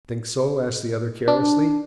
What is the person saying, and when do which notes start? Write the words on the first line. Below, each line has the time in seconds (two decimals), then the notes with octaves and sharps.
"Think so?" asked the other carelessly.
1.28 D4